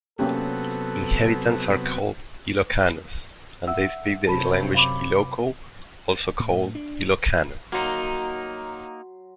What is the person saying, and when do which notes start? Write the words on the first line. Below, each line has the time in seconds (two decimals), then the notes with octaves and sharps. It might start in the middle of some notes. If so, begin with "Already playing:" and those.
Inhabitants are called "Ilocanos" and they speak the language Iloko, also called "Ilocano".
0.19 C3 F#3 A#3 B3 C#4 G4 A4
3.67 E5 F#5 E6
4.27 F#2 C3 A5 B5
4.75 F5 B5 D6
6.39 A2
6.75 D4
7.72 F#3 A#3 D#4 C6